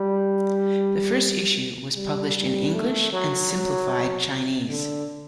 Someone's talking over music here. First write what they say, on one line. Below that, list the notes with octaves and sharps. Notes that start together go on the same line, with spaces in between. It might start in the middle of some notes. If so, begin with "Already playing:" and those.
The first issue was published in English and Simplified Chinese.
Already playing: G3
G3
G3
A3
F#3
F#3
D3